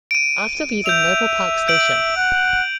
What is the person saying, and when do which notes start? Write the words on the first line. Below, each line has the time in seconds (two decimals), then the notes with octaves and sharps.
After leaving Noble Park Station.
0.11 D7 D#7
0.86 E5 G6 F7
1.68 G6 D7 F#7
2.16 F#5